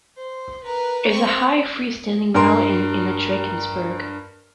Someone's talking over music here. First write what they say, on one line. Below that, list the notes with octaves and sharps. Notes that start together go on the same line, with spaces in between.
It is a high free standing mountain in the Drakensberg.
C5
A#4 B4
C4 C#6
G2 A#4 C6